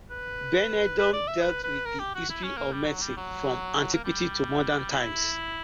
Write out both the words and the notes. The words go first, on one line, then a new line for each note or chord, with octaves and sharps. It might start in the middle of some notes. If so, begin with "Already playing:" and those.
Benedum dealt with the history of medicine from antiquity to modern times.
B4
B4
D5
E5
B4
B4
A#4
G4
F#4
E4
C#4
A#3
G3
F#3
G3
F#3
A#3
G3
E4